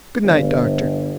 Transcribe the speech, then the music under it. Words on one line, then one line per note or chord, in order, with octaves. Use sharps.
Good night, doctor.
G1